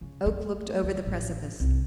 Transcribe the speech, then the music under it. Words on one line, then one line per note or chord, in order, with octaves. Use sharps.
Oak looked over the precipice.
C#3
A3
D2
A1
C2